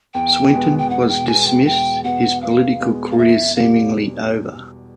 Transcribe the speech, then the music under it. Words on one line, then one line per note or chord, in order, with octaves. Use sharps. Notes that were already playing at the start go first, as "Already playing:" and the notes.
Swinton was dismissed, his political career seemingly over.
E2 G5
B2 G#3 B3
G5
E2 F#5
G5
B2 G#3 B3 G#5
G5
E2 G5
B2 G#3 B3 F#5
E2 F5
B2 G#3 B3
F5
E2 E5
B2 G3 F5